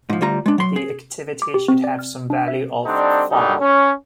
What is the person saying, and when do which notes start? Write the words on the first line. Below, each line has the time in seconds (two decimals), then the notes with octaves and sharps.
The activity should have some value of "fun".
0.10 G#2 F3
0.21 D2 G3 F4 A#5
0.46 G#3 D4
0.58 F#3 C6
0.76 G#4
1.42 D6
1.54 G4
1.68 C4
1.84 D5
1.99 F6
2.30 D4
2.48 E5
2.85 D3 G3 C4 D4 D#4
3.30 A#2 D3 F#3 G3 D#4
3.61 C#4